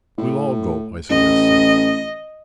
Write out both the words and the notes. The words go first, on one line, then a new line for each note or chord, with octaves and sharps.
"We'll all go," I suggested.
A2
A1 D#5